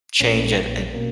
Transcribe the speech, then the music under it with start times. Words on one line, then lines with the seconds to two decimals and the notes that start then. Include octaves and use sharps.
change and and
0.20 A#1 A#2 A#3 C#4
0.94 B2 A#3